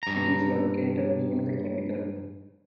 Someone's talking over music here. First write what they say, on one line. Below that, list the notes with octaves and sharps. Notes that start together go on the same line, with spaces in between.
It is located near the capital.
G2 A#5